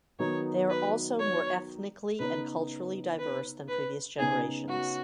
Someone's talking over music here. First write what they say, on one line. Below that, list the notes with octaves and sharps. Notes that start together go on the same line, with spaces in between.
They are also more ethnically and culturally diverse than previous generations.
D#3 F#3 B3 D#4 C#5
B4
C#5
C#3 B3 D#4 B4
B4
B4
C#3 B3 D#4 G#4
F#4